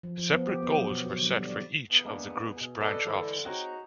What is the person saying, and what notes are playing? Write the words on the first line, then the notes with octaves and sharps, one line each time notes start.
Separate goals were set for each of the group's branch offices.
F3
F3
B3
G4
B3
F#3
B2
F#4
D3
G3
D5
E2 C#3 B3
G#3 A#3 D4
B2 G#4
A4 B4 D5 D#5
D3 E3 G#3 E4
C4 D#4 F#4 G#4 C#5 A#5